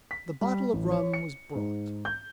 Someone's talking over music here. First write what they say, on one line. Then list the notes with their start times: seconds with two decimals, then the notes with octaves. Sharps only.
The bottle of rum was brought.
0.11 B6
0.41 G3
0.73 A1
0.92 C#5
1.13 C#7
1.55 G#2
2.05 G6